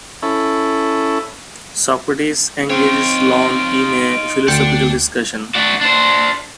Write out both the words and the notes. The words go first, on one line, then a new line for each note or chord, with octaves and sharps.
Socrates engages Ion in a philosophical discussion.
C#4 E4 A4
C4 D#4 F4 C#5 D7
D2 D4 D5 G5 C#7
F#4 D5
D4 C5